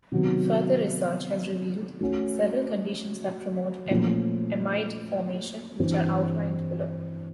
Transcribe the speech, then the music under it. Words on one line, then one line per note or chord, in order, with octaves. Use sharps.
Further research has revealed several conditions that promote amide formation, which are outlined below.
C3 D#3 F#3 B3
A3 C#4 F#4
A#2 F3 A3 C#4 F4
G2 E3 G3 C4